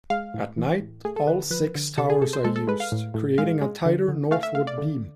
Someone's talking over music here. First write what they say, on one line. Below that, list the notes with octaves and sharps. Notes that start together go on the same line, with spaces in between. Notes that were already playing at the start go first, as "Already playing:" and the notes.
At night, all six towers are used, creating a tighter northward beam.
G#3 F5
A2
E3
A2
A3 G#4
A4
D3 B4
F3 B4
D3
C3 A4
G#4
C3 A4
C5
G#3 A4
A4
G#3 B4
F5
A2
A2
G#3 F5
G#3
D3
D3
A3 F5
E5
A3 F5
D5
D3